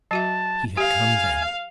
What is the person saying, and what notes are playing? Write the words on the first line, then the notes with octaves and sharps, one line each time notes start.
He had come then.
F#3 F#4 E5 A5
G4 F5 G#5